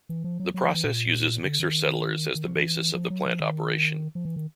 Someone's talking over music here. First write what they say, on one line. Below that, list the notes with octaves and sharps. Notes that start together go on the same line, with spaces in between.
The process uses mixer settlers as the basis of the plant operation.
E3
F3
F#3
F#3
F3
E3
A#2
D3
D#3
D#3
F3
E3
F3
F#3
F3
D#3
F3
E3
D#3